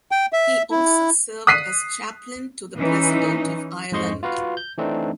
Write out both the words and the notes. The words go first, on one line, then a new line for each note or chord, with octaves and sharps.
He also served as chaplain to the President of Ireland.
G5
E5
E4
D#6 F#6 B6 C7 D#7
E3 C#4 D#4
F2 G#2 C5 D#5 C6 C#6
F4 F#4 B4 F5
G6
E3 A3 C4 D4 D#4